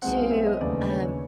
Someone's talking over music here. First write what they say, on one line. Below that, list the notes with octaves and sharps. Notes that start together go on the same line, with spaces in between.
to, um,
B1 B2 G#3 C4 F#5
F5
E5
D#5
D#2 C#3 E3 A3 D4 D5
C#5